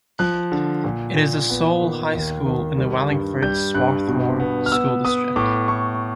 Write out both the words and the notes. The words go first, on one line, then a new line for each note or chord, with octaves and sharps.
It is the sole high school in the Wallingford-Swarthmore School District.
F3 F#6
D3
A#2
A#2
B3
D#3
D#2
D#3
G3
G2
G3 G6
G2 F#6
B2
B3
F6
B3 E6
B3 D#6
A2 D6
A2 C#6